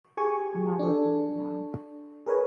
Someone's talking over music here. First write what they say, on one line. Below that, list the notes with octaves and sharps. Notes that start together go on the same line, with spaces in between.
I’m not working right now.
G4 G#4 G#5 C#6
D4 A4
G#4 A#4 B4 C#5 G#5